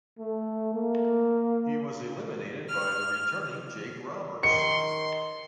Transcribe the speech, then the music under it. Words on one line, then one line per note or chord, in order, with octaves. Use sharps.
He was eliminated by the returning Jake Roberts.
A3
A#3
F6
D#3 C6 C#7